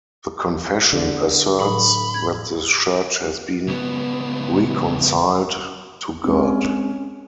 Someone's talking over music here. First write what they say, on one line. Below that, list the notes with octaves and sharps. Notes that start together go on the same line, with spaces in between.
The confession asserts that the Church has been reconciled to God.
D3
A2 F#3 B5 D#6
G#6
C#2 B3
G#3 C4 C#4